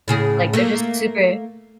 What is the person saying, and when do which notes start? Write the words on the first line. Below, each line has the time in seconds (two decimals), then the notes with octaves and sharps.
like, they're just super
0.08 A2 C#3 G#4
0.53 A3 A#3